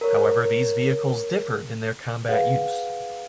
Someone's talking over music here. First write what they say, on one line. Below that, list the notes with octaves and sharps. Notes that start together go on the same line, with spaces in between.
However, these vehicles differed in their combat use.
A#4 C#5
G#4 B4 F5 F#5